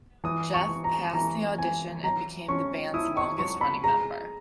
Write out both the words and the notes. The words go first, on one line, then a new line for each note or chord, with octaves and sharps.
Jeff passed the audition and became the band's longest-running member.
E3 D#6
C#6
E3
A#5
E3 A#5
E3 G#5
F#3 A#5
C#4 C#6
E4 D#6
C#6
F#3 C#6
B5
G#3 A#5